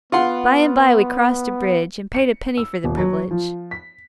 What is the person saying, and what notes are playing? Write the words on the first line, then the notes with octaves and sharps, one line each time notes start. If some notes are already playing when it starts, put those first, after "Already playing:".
By and by we crossed a bridge, and paid a penny for the privilege.
B3 F4 F#5 C6
C#7
E6
D#1
F#3
F3
B6